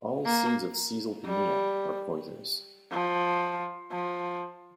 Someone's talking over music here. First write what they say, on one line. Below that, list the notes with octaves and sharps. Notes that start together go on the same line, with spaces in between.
All seeds of "Caesalpinia" are poisonous.
A#3
G3
F3
F3